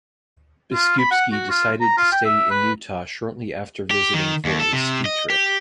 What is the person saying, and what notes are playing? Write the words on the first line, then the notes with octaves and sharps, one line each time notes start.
Biskupski decided to stay in Utah shortly after visiting for a ski trip.
F4
B5
F#5
F#4
F4
A#5
F4
G5
E5
B4
G4
D#3
D#2
A4
C3
D#5
G4